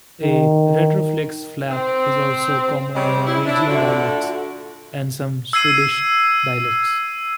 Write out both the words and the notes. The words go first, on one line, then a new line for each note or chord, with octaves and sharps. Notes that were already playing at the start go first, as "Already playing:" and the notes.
A retroflex flap is also common in Norwegian dialects and some Swedish dialects.
D#3
C4
G3 G#3 C4 C#5
E4
D4 E4
D3 A3 D4 F4 F#4
E6 G#6 C7 D#7